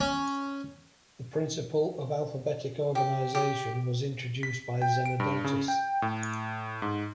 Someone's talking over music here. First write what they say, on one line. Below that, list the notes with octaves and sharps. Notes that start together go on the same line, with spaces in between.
The principle of alphabetic organization was introduced by Zenodotus.
C#4
G4
G4
B6
G5
D7
G2
C#3
G5
A2
G#2